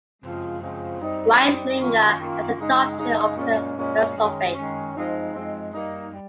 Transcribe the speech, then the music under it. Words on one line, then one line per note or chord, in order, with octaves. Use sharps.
Riedlinger has adopted the opposite philosophy.
C#3 F3 G#3 C4 F4
C#3 F3 G#3 C4 F4
G3 C4 D#4
G3 C4 D#4
D#3 A#3 C#4 F4
D#3 A#3 C#4 F4
C#3 G#3 D#4
C#3 G#3 D#4
A#2 G#3 C#4
A#2 G#3 C#4
D#3 G#3 C#4
D#3 G#3 C#4
F3 G#3 C4 D#4
F3 G#3 C4 D#4
G3 A#3 D#4
G3